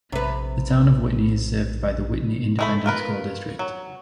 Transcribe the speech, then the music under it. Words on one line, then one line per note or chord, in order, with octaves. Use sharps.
The Town of Whitney is served by the Whitney Independent School District.
A#1 C3 B4
G#3 A3 B5
A3 F4 A#4 B4
F#3